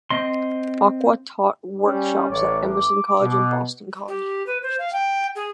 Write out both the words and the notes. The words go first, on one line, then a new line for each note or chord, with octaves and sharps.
Aqua taught workshops at Emerson College and Boston College.
C4 D#5 C6
G3 C#4
A1 C#5 D5
D6
B2
G4
B4
C5
F5
G5
G#4